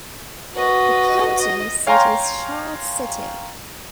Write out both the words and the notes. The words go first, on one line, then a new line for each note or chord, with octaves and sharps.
The county seat is Charles City.
F#4 B4 D#5
D#5
C#5 F5 G5 G#5 A#5 C6